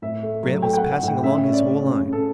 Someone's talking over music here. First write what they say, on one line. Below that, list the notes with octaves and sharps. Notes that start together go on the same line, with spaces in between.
Grant was passing along his whole line.
A2 E5
A3
F#3
A3 G5
G5
F#5
A3
F#5
A2
G5
C#3 E5
C#4
D5
C#3
C#3
C#3
A4